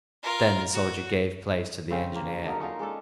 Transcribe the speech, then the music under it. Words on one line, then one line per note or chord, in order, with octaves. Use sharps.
Then the soldier gave place to the engineer.
F4 A#4
F#4
C#3 C4 C#4 F4
A#3
D3 F#3 D#4 A#4
C#4 D#4 F4 A#4
G#3 C#4 D4 A4